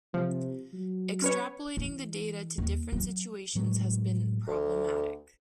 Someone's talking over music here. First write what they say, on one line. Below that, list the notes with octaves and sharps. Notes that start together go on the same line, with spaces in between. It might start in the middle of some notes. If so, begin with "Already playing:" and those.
Extrapolating the data to different situations has been 'problematic'.
C3 F3
F#3
C#4 B4 C#5
E3
D#2
F#3
A2 F#3 G#3
D2